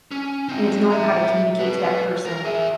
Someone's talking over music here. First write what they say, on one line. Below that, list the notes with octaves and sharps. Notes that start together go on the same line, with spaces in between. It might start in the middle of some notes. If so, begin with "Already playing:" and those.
and it's knowing how to communicate to that person
C#4
C4 D#4
E5 A#5
F#4 B4
A#4
G#4 E5